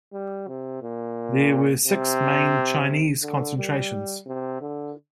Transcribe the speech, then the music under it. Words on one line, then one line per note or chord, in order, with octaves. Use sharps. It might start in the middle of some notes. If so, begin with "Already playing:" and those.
There were six main Chinese concentrations.
G3
C3
A#2
C3
D3
G3
C3
D3